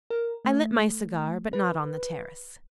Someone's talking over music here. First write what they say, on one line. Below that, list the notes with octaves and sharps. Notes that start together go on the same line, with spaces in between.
I lit my cigar, but not on the terrace.
A#4
A3
B4